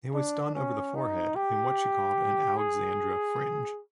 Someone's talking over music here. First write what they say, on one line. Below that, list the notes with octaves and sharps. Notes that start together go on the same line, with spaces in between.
It was done over the forehead in what she called an Alexandra fringe.
D4
C#4
D#4
G4
G#4